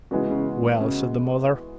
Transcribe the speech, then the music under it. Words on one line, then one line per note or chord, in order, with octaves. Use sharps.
"Well?" said the mother.
C#3 E3 G#3 B3 F#4
C#3
C#3